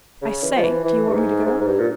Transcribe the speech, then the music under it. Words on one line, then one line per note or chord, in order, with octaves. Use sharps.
"I say--do you want me to go?"
C#3
E3
F3
E3
E3
G2
G#2
G#2
G#2
G2
A#2